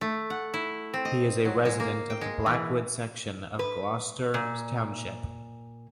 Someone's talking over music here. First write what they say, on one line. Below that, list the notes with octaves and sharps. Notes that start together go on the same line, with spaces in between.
He is a resident of the Blackwood section of Gloucester Township.
A3
F#5
E4
C4
D#5
F#3
G#3
A#3
G5
G#3
E3
B4
A#2